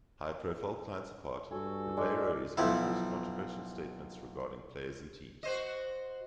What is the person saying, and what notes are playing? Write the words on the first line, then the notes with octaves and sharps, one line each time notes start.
High-profile clients apart, Ribeiro is known for his controversial statements regarding players and teams.
G2 F#4 A4 G#5
G#3 D4
B1 F3 E4
F#4 C5 D#5